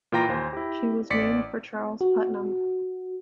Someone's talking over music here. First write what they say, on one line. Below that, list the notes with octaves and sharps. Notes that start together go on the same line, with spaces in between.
She was named for Charles Putnam.
A#2 E3 F4 G5 A#5 A#6
D#2 C5 G#5
E4 G4
A1 D5 B6 C#7
F#4